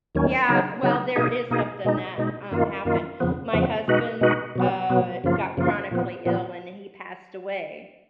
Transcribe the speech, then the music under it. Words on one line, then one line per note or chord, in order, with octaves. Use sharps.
yeah, well, there is something that, um, happened, my husband, uh, got chronically ill, and he passed away,
D#2 D#3 F#3 C#4
C#3 F#3 B3 D#4
C#3 F#3 B3 D#4
B2 A#3 D#4 G#4
B2 A#3 D#4 G#4
B2 G#3 D#4
B2 G#3 D#4
F#2 D#3 A#3 F4
F#2 D#3 A#3 F4
F2 C#3 F3 B3
F2 C#3 F3 B3
B2 G#3 D#4 F#4 B4
B2 G#3 D#4 F#4 B4
B2 F#3 B3
B2 F#3 B3
F#2 C#3 F3 A#3 F4
F#2 C#3 F3 A#3 F4
A#2 F3 B3
A#2 F3 B3